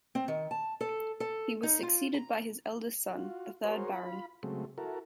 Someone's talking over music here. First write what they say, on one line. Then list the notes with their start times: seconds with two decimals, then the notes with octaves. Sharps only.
He was succeeded by his eldest son, the third Baron.
0.15 C4
0.28 D#3
0.51 A5
0.81 A4
1.20 A4
1.63 D#4
1.83 F4
2.14 A#5
3.10 F4 F#4
3.64 F#4 G#4 A#4 C5 C#5
3.92 F4 B5
4.43 C#3 F#3 G#3 A3 C4
4.78 E4 F#4 A4 A#4